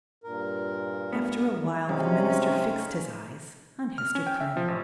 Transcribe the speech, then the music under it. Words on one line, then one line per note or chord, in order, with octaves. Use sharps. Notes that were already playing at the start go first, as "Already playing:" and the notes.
After awhile, the minister fixed his eyes on Hester Prynne's.
G2 A#2 A#4
B3
F#2 C3 G#3 C#4 D#4 F5
F6
C#4
G5
E5
F3
A1